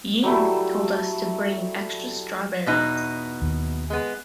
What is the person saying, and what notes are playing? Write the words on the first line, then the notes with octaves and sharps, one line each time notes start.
Ying told us to bring extra strawberries.
F#3 G3 A3 E4
E2 B2 D#4
D#2
G#3 B3